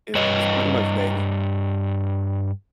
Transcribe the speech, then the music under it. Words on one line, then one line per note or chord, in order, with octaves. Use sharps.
It's it's pretty much daily.
G2 B4 C#5 D#5